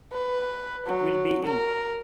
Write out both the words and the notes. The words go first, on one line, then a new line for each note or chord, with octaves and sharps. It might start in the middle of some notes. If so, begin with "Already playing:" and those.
It will be ill.
B4
F#3
A#4